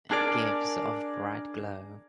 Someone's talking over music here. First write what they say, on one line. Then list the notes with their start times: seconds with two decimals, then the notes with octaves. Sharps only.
Gives of bright glow.
0.11 D4 G#4 A#4 D5